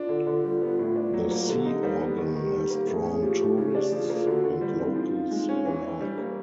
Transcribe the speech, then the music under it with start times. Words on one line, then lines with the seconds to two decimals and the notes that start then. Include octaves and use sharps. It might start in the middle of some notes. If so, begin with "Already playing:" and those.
The Sea Organ has drawn tourists and locals alike.
Already playing: D4 F4
0.09 D3
0.27 D3
0.44 G3
0.61 B3
0.79 A2
0.96 D4
1.14 F#3
1.31 A#3
1.48 D3 G4
1.65 D#4
1.83 G3
2.00 B3
2.18 D#3
2.35 D#3
2.52 G3
2.71 A#3
2.87 A2 A#4
2.91 G#4
3.05 C#4
3.22 F3 G4
3.39 A3
3.57 C#3 G4
3.75 D4
3.92 F3 G#4
4.10 A#3
4.15 F4
4.27 D3 F#4
4.44 D3
4.49 F4
4.61 G3
4.73 E4
4.79 C4
4.96 F3 D#4
5.13 F4
5.31 G#3
5.49 C#4
5.65 E3 D4
5.83 E3
6.01 G3
6.18 A#3